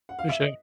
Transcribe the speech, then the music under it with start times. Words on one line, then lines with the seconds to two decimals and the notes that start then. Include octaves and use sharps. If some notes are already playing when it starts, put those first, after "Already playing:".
For sure.
0.09 F#5
0.19 F5
0.29 E5
0.40 D#5